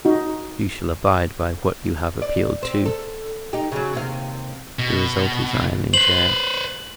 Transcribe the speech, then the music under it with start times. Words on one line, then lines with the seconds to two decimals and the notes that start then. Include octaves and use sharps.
You shall abide by what you have appealed to.' The result is I am in gaol.
0.05 D#4 F#4
2.22 D5
2.63 C4
2.86 A4
3.53 D#4 G4
3.72 C#3 F#3
3.93 D#2 C3 F5
4.79 B2
5.94 B4 C5 F#7